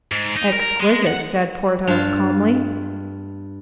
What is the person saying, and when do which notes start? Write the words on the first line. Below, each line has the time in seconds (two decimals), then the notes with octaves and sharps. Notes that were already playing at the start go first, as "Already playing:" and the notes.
"Exquisite," said Porthos, calmly.
0.12 G#2
0.37 D#4
0.52 A#4
0.80 G#3
1.06 F#5
1.87 G2 F4